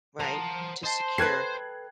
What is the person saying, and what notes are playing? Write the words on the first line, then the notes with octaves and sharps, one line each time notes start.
right, to secure,
A#4 C5 F#5 A5 F7
C5 D#5 A5 C7
A4 B4 G5 F#6 G#6 C7